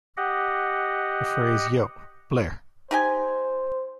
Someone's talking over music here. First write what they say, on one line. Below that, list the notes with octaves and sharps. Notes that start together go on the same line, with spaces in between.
The phrase Yo, Blair.
G4 D#5 F#5
D#4 G4 C5 G#5